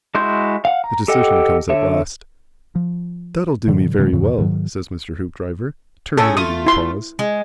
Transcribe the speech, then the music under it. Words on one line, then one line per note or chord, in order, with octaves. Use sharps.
The decision comes at last. "That'll do me very well," said Mr. Hoopdriver, terminating the pause.
G#3 E4 F#4 C6 G6
F5 F#5
A#5
G4 A4 D#5 F#5 G5
D3 C#5 E5
F3
A2 D3 E3 F#3
C3 E3 G#3
E2 G#2 C#3 E3
G#2 D#3 F#3
A2 C#4 G#4 A4
A3 F4 D#6
E4 C6
G#3